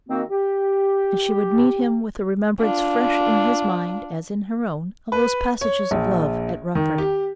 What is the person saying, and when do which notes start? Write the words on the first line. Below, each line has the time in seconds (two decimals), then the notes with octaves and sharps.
And she would meet him with the remembrance fresh in his mind as in her own of those passages of love at Rufford.
0.09 D#3 A#3 C4 F#4
0.29 G4
2.60 D4 F4
5.12 B4
5.61 C#5
5.91 A#1
6.75 D#3
6.98 G4